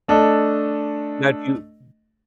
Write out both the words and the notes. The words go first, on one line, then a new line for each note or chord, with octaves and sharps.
Now, do you
A3 D4 A4 D#5